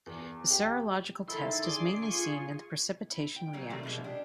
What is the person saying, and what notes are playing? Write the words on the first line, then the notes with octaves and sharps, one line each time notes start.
The serological test is mainly seen in the precipitation reaction.
E2
G4
D#3 D#4 E4 A4 C6
D4 G#4 C6 D6 C7
F4 G#4 G#5 C6 C#6
E4
G5
D3 F#3 G3 A#3
C3 D#3 F#3 G3 A3
B2 G#3 A#3
D4 G4